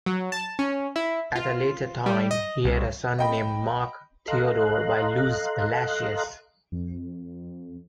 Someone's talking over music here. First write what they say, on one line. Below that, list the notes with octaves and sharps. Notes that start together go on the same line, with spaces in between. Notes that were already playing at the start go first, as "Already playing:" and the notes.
At a later time, he had a son named Marc Theodore by Luz Palacios.
F#3
A5
C#4
E4
F4
G3
D#5
C2
D#5 G5 B5
A4 D#5 F5 A#5 C6 F#6
F2